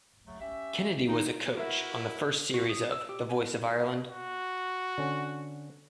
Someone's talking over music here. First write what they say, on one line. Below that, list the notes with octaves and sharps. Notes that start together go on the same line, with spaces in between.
Kennedy was a coach on the first series of "The Voice of Ireland".
C#3 F#3 A3
C#4 G4 E5
D#3 D#4
E4 F#4 A#4 B4 E5
F#4
D#6
E6
G4
G#5
F#4
D3 C#4